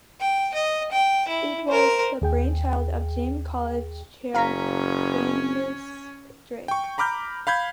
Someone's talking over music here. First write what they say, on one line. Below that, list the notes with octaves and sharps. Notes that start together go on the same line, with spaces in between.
It was the brainchild of James College Chair, Fergus Drake.
G5
D#5
G5
E4
A#4 C5
D#2 G#4 G5
F#1 C#4 F5 A#5 B6
G5 C#6
A#5 B5 D6 F6 G6
F5 B5 G6 G#6